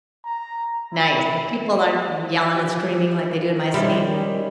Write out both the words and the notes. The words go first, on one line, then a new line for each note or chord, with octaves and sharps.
Nice, so people aren't c yelling and screaming like they do in my city?
A#5
E4
F3 G4
D#3 G3 G#3 C#4 E5 B5